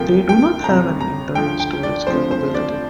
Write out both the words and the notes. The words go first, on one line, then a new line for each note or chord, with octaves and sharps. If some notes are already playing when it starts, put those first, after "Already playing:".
They do not have any internal storage capability.
Already playing: D2 C3 F3 A#3 G5
G5
G1 F2 C3 A#5
A#5
D2 D3 F3 G5
G5
D5
F1 F2 D3 F3 C4 C5
C5
D5